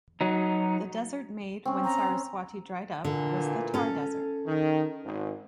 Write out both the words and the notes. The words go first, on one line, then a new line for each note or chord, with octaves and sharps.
The desert made when Saraswati dried up was the Thar desert.
F#3 D#4
C4 C#4
A#5
A#2 D3 E3
C#4 A4
D#3
G#1